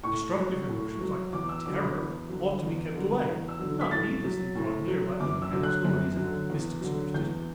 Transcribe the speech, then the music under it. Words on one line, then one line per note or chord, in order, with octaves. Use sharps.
Destructive emotions like terror ought to be kept away and not needlessly brought near by uncanny stories and mystic superstitions.
A2 C#6
F#3
A2
F#3
E2 D6
E6
D3 F#3 D6
B5
E2
D3 F#3
E2
D3 F#3
E2
E6
D3 F#3
B6
A2 A6
F#3
A2
F#3
F#2 D6
E6
D3 F#3
F#6
F#2
F#3
D3
E2
D3 F#3
E2 G6